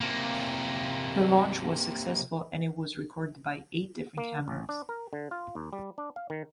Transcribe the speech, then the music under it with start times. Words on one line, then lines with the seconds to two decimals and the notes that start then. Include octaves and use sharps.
The launch was successful and it was recorded by eight different cameras.
0.01 C3 A#3
4.17 A#3
4.48 A1
4.69 D4
4.89 A#4
5.13 D3
5.31 F4
5.55 D#2
5.73 G3
5.98 D4
6.16 F5
6.30 D#3